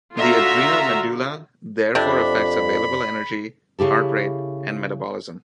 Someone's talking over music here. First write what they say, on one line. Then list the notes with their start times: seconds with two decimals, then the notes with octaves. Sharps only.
The adrenal medulla therefore affects available energy, heart rate, and metabolism.
0.14 D3 F4 F#4 E5 F5 A#5
1.95 F2 C3 D4 B5
3.79 C#3 E4 G4 A4